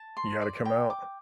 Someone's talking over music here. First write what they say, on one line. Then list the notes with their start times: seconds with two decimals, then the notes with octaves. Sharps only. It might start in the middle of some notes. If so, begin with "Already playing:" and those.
You gotta come out.
Already playing: A5
0.17 C6
0.41 D5
0.65 G5
0.90 D6